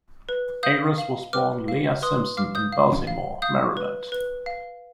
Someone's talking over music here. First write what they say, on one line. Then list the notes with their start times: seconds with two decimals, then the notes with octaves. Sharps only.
Ayres was born Leah Simpson in Baltimore, Maryland.
0.29 B4
0.63 F5 D#6 G6
0.98 F5
1.33 B4 D6 F6
1.68 F5
2.02 B4 C6 D#6
2.37 F5 D6 F6
2.55 D#6 G6
2.73 F5
3.07 F5
3.42 F5 D#6 G6
3.77 B4
4.12 B4
4.46 F5